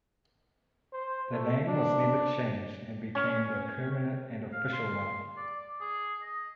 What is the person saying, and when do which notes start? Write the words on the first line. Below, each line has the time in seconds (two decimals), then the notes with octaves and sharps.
The name was never changed, and became the permanent and official one.
0.93 C5
1.32 A3
1.68 D4
3.15 C#4
4.52 F5
4.73 C6
5.37 D5
5.80 G#4
6.22 D#5